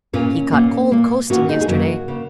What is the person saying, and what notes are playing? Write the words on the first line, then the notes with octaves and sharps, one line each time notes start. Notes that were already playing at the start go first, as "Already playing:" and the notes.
He caught cold coasting yesterday.
A#2 A#3 C#4
A#2 A#3
A#2 A#3
A#2 A#3 C#4 F#4
D#4 G#4
G#4
F#2 C#3 A#3 F#4 A#4
C#3 A#3